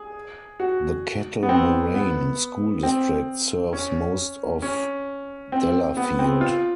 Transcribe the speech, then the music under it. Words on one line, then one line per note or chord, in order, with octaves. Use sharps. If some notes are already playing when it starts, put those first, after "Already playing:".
The Kettle Moraine School District serves most of Delafield.
Already playing: G#4
F#4
B3
C4
B3
C4
C#4
C#4
C4
B3
C4
F4